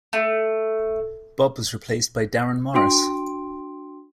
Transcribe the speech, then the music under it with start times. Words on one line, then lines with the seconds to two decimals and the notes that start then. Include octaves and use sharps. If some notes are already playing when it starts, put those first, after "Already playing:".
Bob was replaced by Darren Morris.
0.13 A3
2.74 D4 F#4 G5 C6 D7